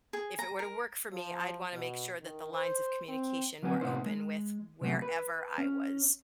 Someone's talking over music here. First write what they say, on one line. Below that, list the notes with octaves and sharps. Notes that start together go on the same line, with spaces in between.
if it were to work for me, I'd wanna make sure that the lines of communication were open with wherever I was
G#4
A#5
A#4
F3
B2
D#3
C5
C4
D2 F#3 C4 B4 C#5 G#5
A2 C3 F#3 B3 D#4 C5
G#3
C3 F#3 A3
B4
C#4